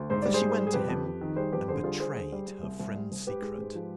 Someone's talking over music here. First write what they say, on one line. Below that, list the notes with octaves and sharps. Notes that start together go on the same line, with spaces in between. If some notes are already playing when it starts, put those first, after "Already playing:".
So she went to him, and betrayed her friend's secret.
Already playing: D2
G#2 C5
G3 D5
G#4 C5
G#2
G3
G#4
F2 G4 B4
F2
F2
D#3
G3 G#4 C5
F2 G4 B4
D3 G#4 C5
G3 F4 G#4
G3 G#4 C5
D3
G3
G3
C2
C2
G3
C2
G#2 G4 B4
G#3
G#2
F3